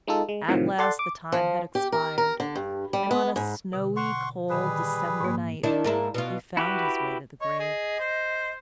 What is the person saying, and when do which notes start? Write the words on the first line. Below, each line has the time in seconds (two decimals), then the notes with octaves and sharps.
At last the time had expired, and on a snowy, cold December night he found his way to the grave.
0.07 G#3 D#4 F4 A4
0.29 G#3
0.48 A2 C3 D#3 F3 F#3
0.78 A4 D5 F#5 C6 A6
0.99 D6
1.32 F3
1.75 G4
1.92 A#4
2.18 A#4
2.40 D3
2.55 G2
2.93 G3
3.11 B3
3.36 G#2
3.73 B2 D3
3.96 F#5 C6 C#6
4.50 A#2 D3 D#3 G3 G#4 B4
5.21 G#2 A#3
5.63 D#3 D4 E4
5.84 G#2 A#3 E4
6.14 B2 F4
6.57 E4 F#4 G4 B4
7.41 C#5 D#5
7.59 G#4
7.99 C5